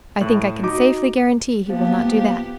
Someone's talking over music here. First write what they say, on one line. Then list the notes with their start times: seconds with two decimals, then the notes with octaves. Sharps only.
"I think I can safely guarantee he will not do that."
0.21 A2 F#7
0.63 D#4 F#4 D6
1.68 C3 F3 A#3 B3 G4